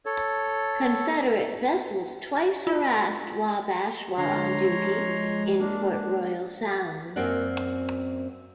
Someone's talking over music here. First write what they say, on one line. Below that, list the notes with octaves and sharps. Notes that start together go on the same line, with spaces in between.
Confederate vessels twice harassed "Wabash" while on duty in Port Royal Sound.
A4 C#5
F4
D3 G#3 C#5 A#5 C6
F3
A#3 D4
F#2 A#3 C4 F#4 D5 F#5